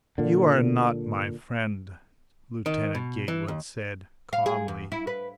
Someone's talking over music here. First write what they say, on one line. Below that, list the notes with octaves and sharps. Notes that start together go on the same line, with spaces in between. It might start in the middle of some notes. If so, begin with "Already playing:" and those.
"You are not my friend," Lieutenant Gatewood said calmly.
A#2 D3
D#3
B2
E3
D#2
F5
G#4
E2
E4
B4